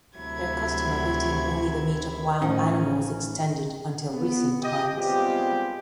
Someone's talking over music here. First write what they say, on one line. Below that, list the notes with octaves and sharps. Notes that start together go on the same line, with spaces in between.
Their custom of eating only the meat of wild animals extended until recent times.
D2 C3 F#3 E4 G#6
A1 F3 C#4 D#4
B3
G4 D#5
G3 G#3 B3 C4 F4 G4